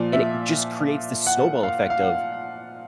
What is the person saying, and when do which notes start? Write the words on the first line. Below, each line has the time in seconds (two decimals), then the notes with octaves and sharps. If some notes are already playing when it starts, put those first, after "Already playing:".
and it just creates this snowball effect of
Already playing: A#2 F3 D5
0.13 E5
1.27 F#5
1.63 F5
1.90 F5
2.02 F#5